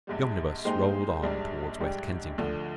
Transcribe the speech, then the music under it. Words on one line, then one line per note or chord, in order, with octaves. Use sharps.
The omnibus rolled on towards West Kensington.
A#1 G#2 G3
A#2 G#3 D#4 G4 C5
A#1 G#2 G3 D4
A#1 G#2 G3 D4 G4
D2 D3 F3